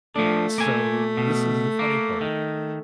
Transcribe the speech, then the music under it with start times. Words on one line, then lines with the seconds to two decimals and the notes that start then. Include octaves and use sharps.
So, this is the funny part:
0.16 F3 A3 D4
0.58 A#3 G#5
1.17 B2
1.79 A#3
2.21 D#3